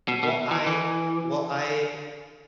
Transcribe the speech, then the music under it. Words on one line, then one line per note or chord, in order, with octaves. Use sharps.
Well, I uh, well, I
B2
B2
E3
E3